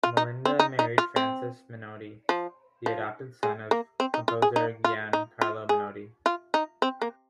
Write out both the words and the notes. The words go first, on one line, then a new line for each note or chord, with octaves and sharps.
Malinda married Francis Menotti, the adopted son of composer Gian Carlo Menotti.
F4
D#4
C4
D#4
D#4
F4
C4
F3
F3
G#3
A#3
C4
D#4
F4
G#4
D#4
F4
D#4
F4
G#4
F4
D#4
C4
A#3